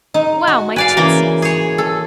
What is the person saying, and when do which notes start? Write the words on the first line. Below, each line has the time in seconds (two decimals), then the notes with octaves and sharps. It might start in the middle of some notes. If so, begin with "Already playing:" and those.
Wow, my tootsies!
0.14 D#4
0.47 F#4
0.76 B4 D5 F5 G#5
0.97 C#3 E3 A#3
1.42 G#4 C#5
1.78 A4